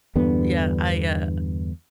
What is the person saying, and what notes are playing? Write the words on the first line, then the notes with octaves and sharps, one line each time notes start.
Yeah. I, uh,
E2 G2 D3 B3